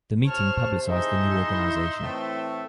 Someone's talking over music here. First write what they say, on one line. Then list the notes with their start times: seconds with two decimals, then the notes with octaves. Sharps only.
The meeting publicised the new organisation.
0.24 C3 C5 C#5 A5 F6
0.86 E3 D#4 G#4 A4 E5 C6
1.46 E4
2.01 A2 E3 A3 C4